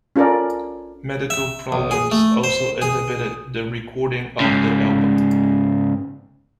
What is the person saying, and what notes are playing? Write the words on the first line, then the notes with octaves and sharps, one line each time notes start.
Medical problems also inhibited the recording of the album.
C#4 F4 A4 A#4 D5
E5
B1
G#4
A3
C5
G#4
G#2 C#3